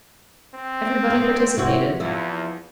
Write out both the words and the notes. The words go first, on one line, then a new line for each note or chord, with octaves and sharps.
Everybody participated.
C4
A3 B3 A#4
C3 E4 F#4
E2 F3 E4